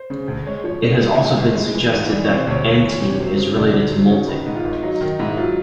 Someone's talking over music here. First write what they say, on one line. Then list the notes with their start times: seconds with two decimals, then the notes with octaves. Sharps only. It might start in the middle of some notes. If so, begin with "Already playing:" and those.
It has also been suggested that anting is related to moulting.
Already playing: C5
0.10 C#3
0.28 D2
0.46 G#3 C#5
0.64 F3 C#5
0.82 C#3 D5
1.01 E3
1.19 G#2
1.38 G#1
1.55 G#3
1.74 E3
1.93 G#2
2.09 E3 D5
2.24 C3 C#5
2.37 C5
2.47 D2 C#5
2.64 D2 C#5
2.83 E3
2.92 C#5
3.00 C3
3.12 C#5
3.19 F#3 C5
3.37 C#3
3.56 D2 D5
3.73 D2 C5
3.92 F#3 C5
4.10 C#3 C#5
4.28 D#3 B4
4.46 G#2
4.55 F4
4.64 G#1
4.83 F#3 D#4
5.01 D#3 D#4
5.19 G#2 E4
5.37 F#3 F4